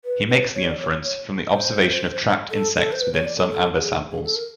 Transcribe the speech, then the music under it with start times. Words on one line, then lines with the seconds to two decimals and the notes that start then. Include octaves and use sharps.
He makes the inference from the observation of trapped insects within some amber samples.
0.05 B4
0.29 B4
0.55 C#5
0.70 D5
0.79 C#5
1.03 C#5
1.52 C5
2.51 A4
2.76 A4
2.92 C5
3.01 B4
3.13 C#5
3.25 D5
3.37 A4
3.51 A4
3.75 G#4
4.11 G#4
4.24 A4
4.36 A#4